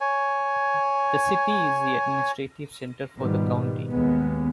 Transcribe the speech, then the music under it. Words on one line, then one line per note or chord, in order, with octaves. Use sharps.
The city is the administrative center for the county.
C#5 G#5
G#2 B2 D#3 F3 G3 B3
D#2 G#3 B3